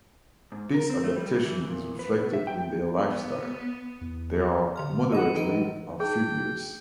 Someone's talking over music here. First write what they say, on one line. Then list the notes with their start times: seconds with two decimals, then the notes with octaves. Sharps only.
This adaptation is reflected in their life style; they are moderately amphibious.
0.52 G#2
0.74 A#4
0.90 C4
1.04 A3
1.16 G3
1.45 E3
1.67 A#2
1.99 B4
2.22 B2
2.33 E5
2.47 G5
2.99 B3
4.01 E2
4.76 D3 C6 F6
5.12 D#5 F#5 B5 D#7
5.35 E3 D#4 B4 D#7
6.00 D#4 G#4 G5